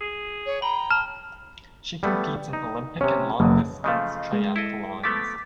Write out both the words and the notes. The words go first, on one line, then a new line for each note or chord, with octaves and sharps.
She competes in Olympic and Long Distance Triathlons.
G#4
C#5
G5 A#5 B5
A5 F6
G3 A3 B3
D#4
C3 C#4 C#5
F#1 B2
C#3 F3 A3 D#5 F5
G#3
E4 A4 D#5
F3 A3 B3 D6 A6 B6